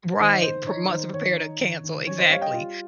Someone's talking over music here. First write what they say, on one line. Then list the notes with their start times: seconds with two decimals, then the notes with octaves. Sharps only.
Right. pro months are prepared to cancel. Exactly.
0.20 D#3 C5 D#5
0.43 D#3 C5
0.66 D#4 C#5
0.89 D#3 C5
1.14 D#3 C#5
1.37 D#4
1.60 D#3
1.83 D#3
2.07 C#4 C#5
2.18 C5 D#5
2.30 G3 C#5 F5
2.41 D#5 G5
2.54 F4